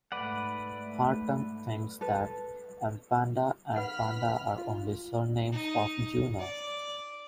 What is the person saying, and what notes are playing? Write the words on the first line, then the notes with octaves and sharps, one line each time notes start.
Hartung thinks that "Empanda" and "Panda" are only surnames of Juno.
G#2 A3 B4 D5 F#5
A4 B4
B4 F#5 B5 F6 B6
F4
D#4
D5